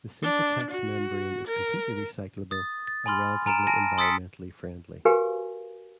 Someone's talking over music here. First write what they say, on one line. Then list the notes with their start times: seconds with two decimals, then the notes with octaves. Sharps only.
The SympaTex membrane is completely recyclable and relatively environmentally friendly.
0.22 D4
0.71 F#4
1.47 A#4
2.51 D#6 A6
2.87 A6
3.06 G#5 B5 C6 F6
3.46 G#5 A#5 F6 D7 E7
3.67 G#5 A5 A#6 D7
3.98 C6 D#6 E6 A6 B6 C#7
5.05 F#4 G4 A#4 B4 F5 G#5